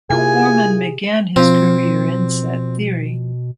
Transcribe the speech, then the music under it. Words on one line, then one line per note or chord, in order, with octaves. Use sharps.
Foreman began his career in set theory.
C3 A#3 E4 F4 G#4 G#5
B2 F3 C4